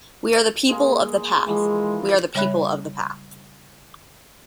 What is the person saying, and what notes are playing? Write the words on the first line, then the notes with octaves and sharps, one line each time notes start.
We are the people of the path; we are the people of the path.
G#3 A#3
E3 F3 G#3
C#3 G3 C#5 E5 B5 F#6